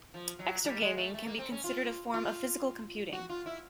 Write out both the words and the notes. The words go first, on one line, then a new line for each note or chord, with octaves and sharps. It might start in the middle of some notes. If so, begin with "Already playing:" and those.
Exergaming can be considered a form of physical computing.
F3
F#3
G3
G#3
A3
A3
A#3
C4
C#4
F4
F4
F#4
F4
E4